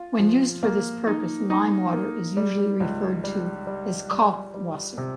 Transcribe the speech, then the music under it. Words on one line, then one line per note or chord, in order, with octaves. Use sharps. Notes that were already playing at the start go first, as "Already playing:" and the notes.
When used for this purpose, limewater is usually referred to as "Kalkwasser".
Already playing: F4
F3
A#3
D#4
D#4
A#3
G3
C#2
G3
G3
G3
G3
C3